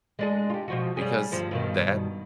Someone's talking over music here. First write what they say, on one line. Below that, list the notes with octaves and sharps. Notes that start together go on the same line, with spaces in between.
because that
G#3 D4 G#4
F4 G4
B2 F3 F#4
G3 C#4 G#4
D2 G2 F3
G2 B2 D#3